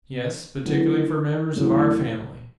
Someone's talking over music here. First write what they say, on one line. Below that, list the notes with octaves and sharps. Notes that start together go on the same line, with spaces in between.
"Yes. Particularly for members of our family."
D3 F#3 B3 E4
E2 C#3 F#3 A3 E4